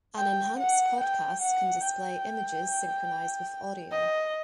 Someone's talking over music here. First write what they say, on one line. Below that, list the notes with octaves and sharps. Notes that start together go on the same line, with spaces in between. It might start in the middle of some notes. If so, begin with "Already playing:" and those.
An enhanced podcast can display images synchronized with audio.
G5
F#5
G5
F#5
G5
D#5